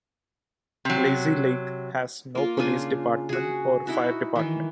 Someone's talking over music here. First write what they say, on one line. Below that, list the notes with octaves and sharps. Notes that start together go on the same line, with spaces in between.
Lazy Lake has no police department or fire department.
C3 F#3
A#3 F4
C#3 D4 F4 G#5
F#4 G#4
D#4 E4 F#4
D#3 E3